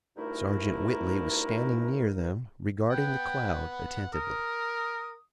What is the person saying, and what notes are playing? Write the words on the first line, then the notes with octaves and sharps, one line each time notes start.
Sergeant Whitley was standing near them regarding the cloud attentively.
D2 G2 A3 D#4 E4 A#4
B3 F#5 G5
A#4 D#6